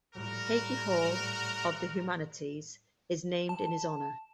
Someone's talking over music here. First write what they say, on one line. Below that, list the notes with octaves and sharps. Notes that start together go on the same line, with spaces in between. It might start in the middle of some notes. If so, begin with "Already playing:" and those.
Hagey Hall of the Humanities, is named in his honour.
A2 G3 F#4 A#4
A5